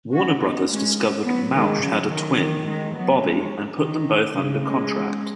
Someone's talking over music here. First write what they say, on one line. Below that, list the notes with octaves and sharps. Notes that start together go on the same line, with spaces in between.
Warner Brothers discovered Mauch had a twin, Bobby and put them both under contract.
C#4 F#4
B3 D#4
G#3 C#4
F#3 B3
D#3 G#3
C#3 F#3
D#3
D#3
D#3 G#3
F#3 B3
G#3 C#4
D#3
C#3 F#3
G#3 C#4